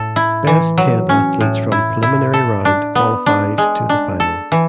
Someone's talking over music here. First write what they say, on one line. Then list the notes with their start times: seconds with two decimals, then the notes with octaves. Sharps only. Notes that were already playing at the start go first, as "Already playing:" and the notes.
Best ten athletes from preliminary round qualifies to the final.
Already playing: A2 A4
0.16 E4
0.47 E3
0.78 F#3
1.09 C#4
1.41 A2
1.72 E4
2.03 E4
2.34 A4
2.65 D4
2.95 B3
3.26 D4
3.58 G#3
3.89 D4
4.20 A4
4.52 E3